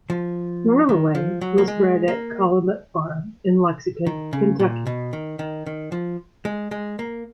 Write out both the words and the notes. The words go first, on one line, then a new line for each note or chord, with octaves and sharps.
Whirlaway was bred at Calumet Farm in Lexington, Kentucky.
F3
D#3
F3
F#3
A#3
G#3
A#3
D#3
C#3
A#2
B2
D#3
D#3
D#3
F3
G#3
G#3
A#3